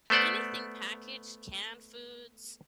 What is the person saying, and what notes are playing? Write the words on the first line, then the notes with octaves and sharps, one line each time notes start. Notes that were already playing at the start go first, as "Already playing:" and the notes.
anything packaged canned foods,
A3 B3 C5 D5 F#5